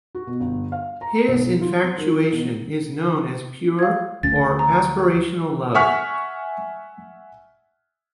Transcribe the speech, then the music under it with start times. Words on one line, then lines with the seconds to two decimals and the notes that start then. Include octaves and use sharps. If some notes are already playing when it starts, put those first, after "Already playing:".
His infatuation is known as pure, or aspirational love.
0.15 F#4
0.27 B2
0.40 G1
0.72 F5
1.01 A#5
1.28 B1
1.61 F4
1.83 C4
1.98 D#3
2.32 B2
3.79 F5 G#6
4.23 D2 C#4 A6
4.59 A#5
5.75 E5 F#5 G#5 C#6 F6 B6